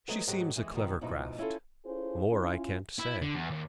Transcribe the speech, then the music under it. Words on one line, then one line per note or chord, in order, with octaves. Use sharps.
"She seems a clever craft; more I can't say."
F#3 G#3 A3 B3 C4 F#4
G#2 F#3 G#3 F#4 G4
E3 G#3
B2 D#3 F3
F2 G#2 B2 D#4 E4
C#4 E4 F4 G4 A4
C#4 E4 F4 G#4 A4 C5
C#4 E4 F4
E4
D3
E2
D#2